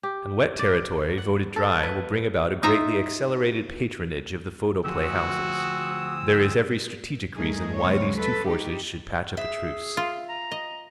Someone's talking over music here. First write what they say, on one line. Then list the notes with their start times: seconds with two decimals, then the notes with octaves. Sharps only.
And wet territory voted dry will bring about a greatly accelerated patronage of the photoplay houses. There is every strategic reason why these two forces should patch up a truce.
0.03 G4
0.59 D5
1.18 F#5
1.56 A4
1.83 B4
2.63 D#4 F4 E5 A#5
4.85 D2 F3 C4 F#4 G#4 D#6 E6
7.35 G2 A3 D#4 G#4 A#4
7.77 D#2 C#3 F#3 G#3 C4 C#5
8.15 A4 B4
8.47 D#4 G4
9.37 G#4 E5
9.97 F4
10.29 A#5
10.52 D#5